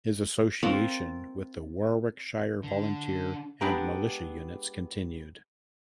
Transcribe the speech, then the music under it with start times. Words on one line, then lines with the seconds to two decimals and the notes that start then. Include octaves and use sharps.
His association with the Warwickshire volunteer and militia units continued.
0.63 C4 F4 A#4 F#5
2.63 D3
3.61 G#3 B3 D4 G4 A#5